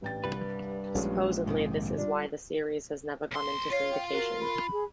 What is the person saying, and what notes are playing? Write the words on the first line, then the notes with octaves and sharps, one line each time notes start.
Supposedly this is why the series has never gone into syndication.
A1 G2 G5 A6
C2 G3 B4
A#1 G#3 C#4 F4 G4
G#2 C3 D#3
G3 D4 F4
B1 C6
F4 C#5 F5
G5
F#4 A#4
B5
G#4